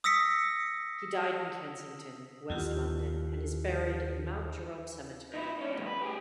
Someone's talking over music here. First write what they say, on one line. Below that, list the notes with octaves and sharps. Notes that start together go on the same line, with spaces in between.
He died in Kensington, west London and is buried in Mount Jerome Cemetery, Dublin.
D#6 E6 A#6 B6 C#7
D#2 E4 F4 G4
D#4 E4
C#4 D4
F2 A2
B4
G4 G#4